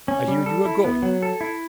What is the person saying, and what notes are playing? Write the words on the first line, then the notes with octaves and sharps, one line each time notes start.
I hear you are going.
C#4
G3
A4
E4
B3
F#3
A4
E4